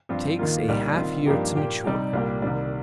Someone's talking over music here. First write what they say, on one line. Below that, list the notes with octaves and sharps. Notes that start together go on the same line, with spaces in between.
Takes a half year to mature.
G2 F3 C4 F4
D#2 D#3 A#3 F4
C2 A#2 G3 D#4
D#3 C4 F4
G2 F3 A#3 D#4 G4
A#2 A#3 G4
C3 G3 D#4 G4
C2 A#2 G3 A#3 G4
C2 C3 D#3 G3